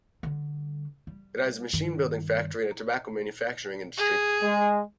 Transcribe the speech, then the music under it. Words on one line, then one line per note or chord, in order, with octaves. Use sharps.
It has a machine-building factory and a tobacco manufacturing industry.
D3 G3
G3
G2 D#3
G#4
G#3